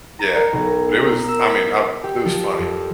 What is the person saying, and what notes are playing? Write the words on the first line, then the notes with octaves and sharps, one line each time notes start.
Yeah, but it was I mean, uh it was funny,
A#5
A#4
B1
A#4
E6
B6
G4
F3
F2